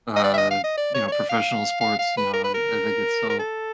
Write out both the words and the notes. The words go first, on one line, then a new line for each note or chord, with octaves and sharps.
uh, you know, professional sports, you know, I I think it's so
D#5
D5
E5
D#5
F5
D#5
D5
C#5
C#5
D5
F5
F5
F5
B4
A#4
B4
A#4
A#4
A4